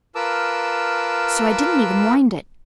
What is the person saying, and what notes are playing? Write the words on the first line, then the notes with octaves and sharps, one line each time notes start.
So I didn't even wind it.
F4 A#4 B4 A5 D6 E6